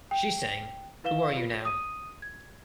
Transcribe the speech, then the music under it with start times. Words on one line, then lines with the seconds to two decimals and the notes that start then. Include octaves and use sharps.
She sang Who Are You Now?
0.11 G5
1.04 E4 B4 F5 E7 G7
1.37 F4
1.65 D#6 D#7
2.22 G#6